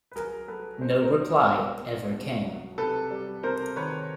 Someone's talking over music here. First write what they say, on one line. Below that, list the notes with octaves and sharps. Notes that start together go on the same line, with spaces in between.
No reply ever came.
B4
F#3 G#4 A#4
F#3 A4 B4
F#3 C5
C#5
A#4 C5
F#3
B2
B2
B2
F#3
C3 A4 B4
G3
C3 A#4 C5
D#3 B4 C#5